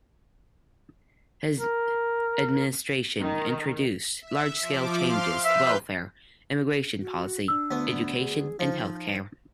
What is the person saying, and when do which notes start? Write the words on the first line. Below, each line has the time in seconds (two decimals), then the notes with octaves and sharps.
His administration introduced large-scale changes to welfare, immigration policy, education, and healthcare.
1.58 A#4
3.20 D#3
4.22 E5
4.61 F3 D6
4.99 F5 C6 F6
5.45 B4 E5 G6
7.01 F#4
7.48 D4 E6
7.71 D2 B3
8.19 G#4
8.59 F3 D#4